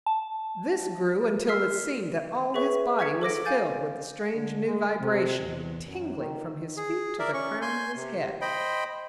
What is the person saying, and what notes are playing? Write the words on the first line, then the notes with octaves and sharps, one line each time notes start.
This grew until it seemed that all his body was filled with the strange new vibration, tingling from his feet to the crown of his head.
A5
A#4 E6 F6 B6 C7
G#4 B4 C#5 E5 C#6
C#6 G#6 B6 C#7
A4 D6 A#6 D7
F5 G#5 G6 A6
D3
G#3
C3
E2
F#2
D#3
G#4
A#4 D5 E5
C#4 C#6
G#5 C6 G6
C3
C5 D#5 G5 B5